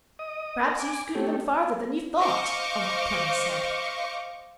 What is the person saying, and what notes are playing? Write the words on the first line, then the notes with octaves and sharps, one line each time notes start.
"Perhaps you scooted them farther than you thought!" Uncle Clem said.
D#5 D#6
A#4 A5 A#5
G#5 D6
A3 C4 G4 A4 C#5
C5 D#5 F5 C#6 D6